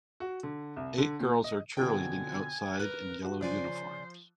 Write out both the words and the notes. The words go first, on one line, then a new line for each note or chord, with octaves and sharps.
Eight girls are cheerleading outside in yellow uniforms.
F#4
D3
C2
D3
A#2
D#5
F2 B2 D3 G5 G#5
E2 A#4 B4 F#6
F#4
C#3 F3 C5 D5 G#5